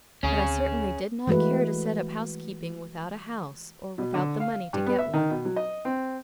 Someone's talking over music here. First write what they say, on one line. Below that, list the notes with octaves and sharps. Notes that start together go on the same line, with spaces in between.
But I certainly did not care to set up housekeeping without a house or without the money to get one.
D2 C4 C#4 G#4
E3 G#3 A3 F#4 B4
B2
D3
F5
G2
B3
E5
D#3
B2
F#3
D#5
C4